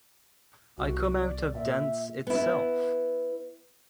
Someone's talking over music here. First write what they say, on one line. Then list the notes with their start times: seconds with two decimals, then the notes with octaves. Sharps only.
I come out of dance itself.
0.78 C2 F#4
1.21 D5
1.54 A#2 E5
2.27 B3 E4